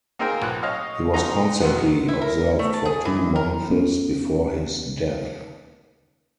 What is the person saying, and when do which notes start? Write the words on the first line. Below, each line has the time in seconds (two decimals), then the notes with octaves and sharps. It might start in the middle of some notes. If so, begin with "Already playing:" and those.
He was constantly observed for two months before his death.
0.19 A#3 C4 D#4 G#4 A#4 G5
0.42 B1 A#2 F#6
0.63 C#5 D#5 F5
1.13 C#4 D#4 F#4 A#5 C6
1.60 B2 D#3 F#3 G#3 B3
2.08 E4
2.21 A#4
2.59 A3
2.73 A5
2.85 G#4
3.05 E3
3.36 A#4
3.70 B3 C#4